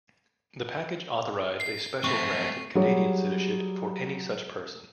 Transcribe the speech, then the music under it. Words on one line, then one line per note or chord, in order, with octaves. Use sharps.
The package authorized a special grant of Canadian citizenship for any such person.
C7
A3 C4 C#6
F#3 G3 G4 G#4 C#5